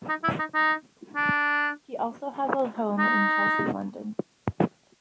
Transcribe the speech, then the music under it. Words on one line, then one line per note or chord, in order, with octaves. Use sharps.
He also has a home in Chelsea, London.
D#4
E4
D#4
D#4
D4
D#4